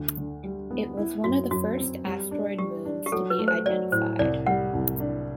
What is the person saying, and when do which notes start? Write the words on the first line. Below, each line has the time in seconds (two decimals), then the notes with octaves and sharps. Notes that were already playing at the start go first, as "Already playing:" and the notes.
It was one of the first asteroid moons to be identified.
Already playing: D2
0.17 D3
0.43 G3
0.71 B3
0.97 E4
1.24 F#2 F#4
1.51 F#2 F#4
1.77 C4
2.04 G3
2.31 D4
2.58 G3 G4
2.85 D4
3.06 G4
3.12 F#3 A4
3.30 B4
3.39 A3
3.48 C5
3.66 F#3 D5
3.92 A2 C5
4.19 C2 D5
4.46 G3 F#5
4.73 C2
5.00 D4